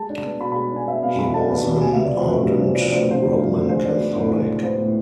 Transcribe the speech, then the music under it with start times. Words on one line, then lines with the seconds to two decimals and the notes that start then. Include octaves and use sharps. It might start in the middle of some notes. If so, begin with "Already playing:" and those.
He was an ardent Roman Catholic.
Already playing: G#3 A5
0.10 D4
0.24 B3
0.41 B2 B5
0.52 B5
0.55 G#3
0.72 D4 G#5
0.88 B3 E5
1.03 B2 F5
1.18 G#3 B5
1.34 D4 A5
1.49 B3
1.66 B2
1.81 C3 G#5
1.93 E5
1.96 B3
2.05 D5
2.13 F3 C5
2.28 D2 B4
2.43 C3
2.59 B3 C5
2.75 F3 D5
2.87 D5
2.91 D2 C5
2.99 B4
3.07 C3 C5
3.22 B3
3.38 F3
3.53 D2
3.69 G#3 C5
3.85 D4
4.00 B3
4.16 A2
4.32 G#3
4.48 D4
4.63 B3 C5
4.79 A2